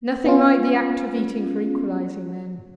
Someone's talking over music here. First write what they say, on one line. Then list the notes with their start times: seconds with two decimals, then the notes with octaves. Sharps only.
'Nothing like the act of eating for equalising men.
0.24 B3 C#4 F4